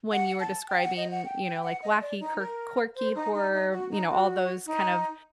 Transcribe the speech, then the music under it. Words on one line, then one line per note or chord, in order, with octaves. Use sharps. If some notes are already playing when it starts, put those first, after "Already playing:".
When you were describing, you know, like wacky, kirk quirky, horror, you know, all those kind of
F#5
A5
G5
F#5
D#5
F#5
G5
G5
F#5
D#5
D5
D#4
A#4
C5
D#4
D#4
D#4
F#4
D#4
F#4
D#4